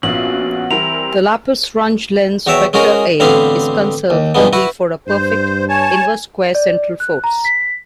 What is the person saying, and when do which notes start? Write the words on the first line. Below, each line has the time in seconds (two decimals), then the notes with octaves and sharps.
The Laplace-Runge-Lenz vector A is conserved only for a perfect inverse-square central force.
0.03 A#1 B3 C#4 F4 F#4 F5 F#7
0.71 E3 G3 C4 E4 A#4 F7
2.47 E2 F#4 C#5 E5 G5 A5
2.73 G#3 C#4 F#4 G#4 A#4
3.20 A1 D3 B3 C4 F5 B5
4.10 D#2
4.35 G2 B2 G#3 B3
4.53 E4 F#4 B4
5.07 G2 C5
5.69 C#5 G#5 A5
6.55 D5
7.00 F#6
7.24 A#5
7.45 B6